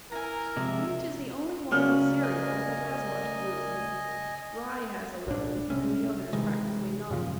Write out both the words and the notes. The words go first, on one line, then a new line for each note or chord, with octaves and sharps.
Wheat is the only one of the cereals that has much gluten; rye has a little and the others practically none.
E4 A#4 G#5 A#5
C3 F3 G#3 E5
C#3 F#3 A3 C#4 A#4 D5 F6
D#5 G#5
B1 A2 D4
C3 G3 A3 C#4
C3 D#3 E3 G#3
F#2 A#2 C#3 F3